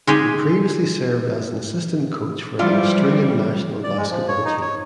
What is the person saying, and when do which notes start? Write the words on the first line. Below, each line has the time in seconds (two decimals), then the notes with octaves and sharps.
He previously served as an assistant coach for the Australian national basketball team.
0.07 G#3 D#4 G4 G#4
2.59 E3 F3 G3 E4 F4 D5
3.84 D5
3.97 G#3
4.10 F3
4.29 C#5
4.45 D#4
4.62 C#5